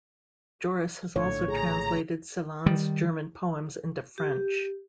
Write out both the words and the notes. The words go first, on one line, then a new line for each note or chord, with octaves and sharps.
Joris has also translated Celan's German poems into French.
A#1 A2 D3 C#5
G#4 A#5
D#3 G3
G4